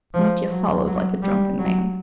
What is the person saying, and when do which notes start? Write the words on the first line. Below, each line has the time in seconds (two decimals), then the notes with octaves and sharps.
Mitya followed like a drunken man.
0.14 F3
0.50 F#3
0.87 F#3
1.22 G3
1.59 F#3